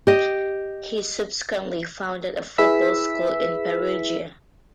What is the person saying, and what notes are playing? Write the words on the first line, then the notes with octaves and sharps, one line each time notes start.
He subsequently founded a football school in Perugia.
G4 D#5
E4 G#4 B4 E5 E6 B6